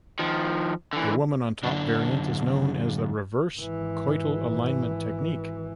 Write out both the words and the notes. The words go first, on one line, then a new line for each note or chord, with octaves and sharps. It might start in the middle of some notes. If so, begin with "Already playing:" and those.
The woman on top variant is known as the reverse coital alignment technique.
D#3 F3
D3 E3
F#2 D3 D4
G#1 E3